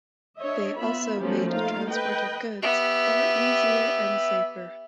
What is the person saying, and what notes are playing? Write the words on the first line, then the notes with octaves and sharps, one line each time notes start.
They also made transport of goods far easier and safer.
D4 C#5 D#5 E5
B3 F4 E5 B5
F3 F#3 A3 B3 C#4 G4
A3 A#3 D#4 F4 F5
B4 D#5 G5
B3 G4 E5